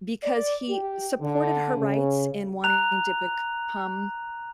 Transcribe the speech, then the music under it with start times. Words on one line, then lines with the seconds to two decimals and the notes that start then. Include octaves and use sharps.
because he supported her rights in wanting to become
0.23 D5
0.68 G4
1.20 D3
1.77 C#3
2.64 A#5 F#6 F7